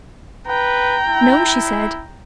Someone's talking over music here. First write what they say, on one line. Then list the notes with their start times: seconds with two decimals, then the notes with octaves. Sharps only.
"No," she said.
0.47 B4 G5 A#5
1.07 E4